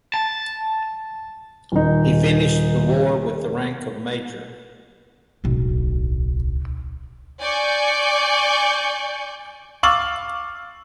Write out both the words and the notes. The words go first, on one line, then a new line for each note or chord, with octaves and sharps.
He finished the war with the rank of major.
A5
D#1 D#4
D1 B1
D5 G#5 C#6 G6
F5 C#6 D6 E6 A6 F#7